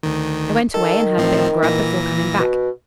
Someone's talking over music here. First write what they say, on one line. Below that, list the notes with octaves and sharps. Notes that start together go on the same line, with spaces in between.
I went away and had a bit of grub before coming back.
D2 D#3
D#3 A4
A2 F3 C4
A#2 E3 A#6
B2